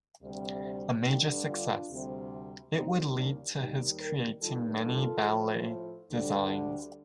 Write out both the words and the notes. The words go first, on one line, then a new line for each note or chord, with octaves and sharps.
A major success, it would lead to his creating many ballet designs.
D2 C3 G3
G2 D3 G3 D#4 G4
D4 F4
D2 C3 G3
D#2 D#3 G3 C4 D#4
A#3 D4
D#2 D#3 G3 D#4 G4
G4 A#4
G2 D#3 G3 F4 A4
F4 A4
A2 F3
D2 D3 G3